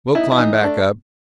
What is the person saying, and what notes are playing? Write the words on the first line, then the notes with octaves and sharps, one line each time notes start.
We'll climb back up.
B3 D#4 E4
E4
E3 D#4
A3 D4